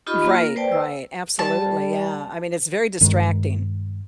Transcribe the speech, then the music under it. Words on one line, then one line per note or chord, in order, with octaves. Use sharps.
Right, right, absolutely, yeah, I mean, it's very distracting,
D#4 F4 G4 D#5 B5 C#6
A#3 F4
A#3 A#4
B4 C5 D5 G5 A5
E6
G3 A5
G2 D#3 G#3